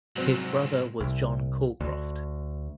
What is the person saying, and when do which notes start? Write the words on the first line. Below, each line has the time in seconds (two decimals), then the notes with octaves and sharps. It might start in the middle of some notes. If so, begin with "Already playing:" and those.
His brother was John Calcraft.
0.16 C2 G#2 F#3 C4
1.00 C2
1.81 D2